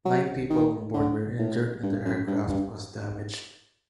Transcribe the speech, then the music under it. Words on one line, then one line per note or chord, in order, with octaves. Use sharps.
Nine people on board were injured and the aircraft was damaged.
F#3
D#3
D3
A2
G2
F#2
G2
G2